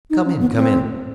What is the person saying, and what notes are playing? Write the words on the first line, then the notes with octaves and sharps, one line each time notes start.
Come in, come in.
D#4
C#4
B3
C4